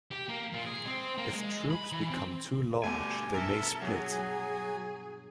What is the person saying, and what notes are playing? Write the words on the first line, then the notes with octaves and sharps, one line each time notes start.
If troops become too large they may split.
G4
A#3
A#2
G#4
C4
A#3
G#3
B5
E3
C4
G2 B2 D3 A3 G#5
A4 A#4 E5
F#3 G#4